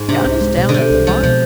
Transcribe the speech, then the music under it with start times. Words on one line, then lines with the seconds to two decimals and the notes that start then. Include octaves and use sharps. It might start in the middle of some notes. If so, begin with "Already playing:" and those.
Johnny's down at the barn.
Already playing: G#2
0.08 C3 D4
0.25 C2
0.41 G#3
0.57 B2
0.69 D3
0.74 C3 D4
0.91 C2
1.07 F3 G#3
1.23 B2 F3